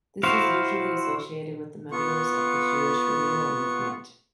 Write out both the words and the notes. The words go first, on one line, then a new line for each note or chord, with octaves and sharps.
This is usually associated with the members of the Jewish Renewal movement.
E4 F#4 C5 F5
B3 F4 C#6